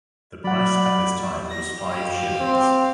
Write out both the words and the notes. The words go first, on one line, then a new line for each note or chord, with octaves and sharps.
The price at this time was five shillings.
F#3 D5 F#5 B5
A#6
G4 F5
C4